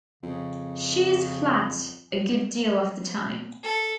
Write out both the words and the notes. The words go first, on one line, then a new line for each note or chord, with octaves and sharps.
She is flat a good deal of the time.
F2 C#3
A4